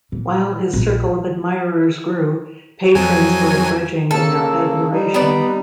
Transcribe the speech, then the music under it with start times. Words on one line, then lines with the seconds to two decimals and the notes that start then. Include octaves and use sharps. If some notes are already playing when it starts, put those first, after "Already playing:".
While his circle of admirers grew, patrons were grudging in their admiration.
0.12 A#2
0.73 A#1
2.95 F2 F#3 G#5
4.11 C#3 A#3 A4
4.90 G3 D#4
5.14 B3 D5